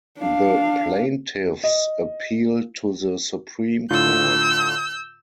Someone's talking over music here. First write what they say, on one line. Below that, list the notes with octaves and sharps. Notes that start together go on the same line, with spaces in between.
The plaintiffs appealed to the Supreme Court.
D4 F5
D#5
A2 D3 F4 E6 G6